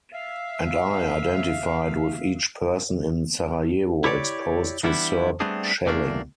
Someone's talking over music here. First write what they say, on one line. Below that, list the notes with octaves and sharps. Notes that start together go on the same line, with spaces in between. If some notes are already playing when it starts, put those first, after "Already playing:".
And I identified with each person in Sarajevo exposed to Serb shelling.
E5 F5
E4 G4 C#5 D5
E3 G3 B3 D4 E4
G3 A3 B3 C4 D4 G#4
E2 C3 A3 A#3 D4